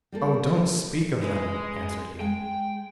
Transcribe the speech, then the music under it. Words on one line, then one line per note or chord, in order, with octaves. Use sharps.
'Oh! don't speak of them,' answered he.
G3 A#3 A4
G#3 B4
G#3 G5